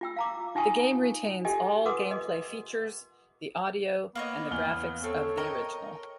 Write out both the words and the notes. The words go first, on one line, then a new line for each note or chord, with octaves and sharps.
The game retains all gameplay features, the audio and the graphics of the original.
F4 G5 E6
F5 A#5 D6
D#4 F4 G5 G#5 C#6 D#6
F4 G4 A4 D#5 G5 G#5
A#4 B4 F#5 C6 D6 D#6
D#5
A#3 B3 C#5 D#5
E2 F6 G7
C4 A4 C#5
A#4 D#5 G5 C#6